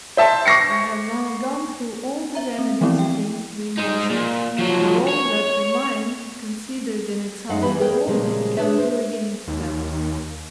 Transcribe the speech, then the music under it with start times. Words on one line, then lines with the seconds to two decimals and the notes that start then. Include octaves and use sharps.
I have now gone through all the remedies against the emotions, or all that the mind, considered in itself alone, can do against them.
0.17 C5 E5 A5
0.46 C#6 D6 A#6 C7 C#7
2.35 E5 A#5
2.59 C4
2.81 E3 F3 A3 B3 C4 E4
2.99 G5
3.78 G#3 D#4
4.10 A#2
4.58 F3 F#3
5.08 C#5
7.49 F#2 D#4 D5 F5 F#5
7.62 E3 G3 B3 B4
7.80 G#4 A#4 B4 C#5 D5 G5
8.07 A#2 C#3 F3 G3 G#3
8.57 D4 G#4 B4 C#5 E5
8.78 C5
9.47 D#2